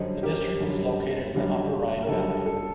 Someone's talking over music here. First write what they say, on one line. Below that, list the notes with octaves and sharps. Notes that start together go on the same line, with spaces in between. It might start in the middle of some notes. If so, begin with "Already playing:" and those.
The district is located in the upper Rhine valley.
Already playing: F#2 D3 G3 C5 D#5
G4 A#4
F#2 D3 G3
F#2 D3 G3
A#4
F#2 D3 G3 A4
A4